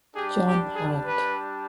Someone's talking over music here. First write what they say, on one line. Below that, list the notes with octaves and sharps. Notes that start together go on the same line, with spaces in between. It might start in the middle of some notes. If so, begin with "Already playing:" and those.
John Hand.
G3 D4 G4 G#4
G4
G#4
B4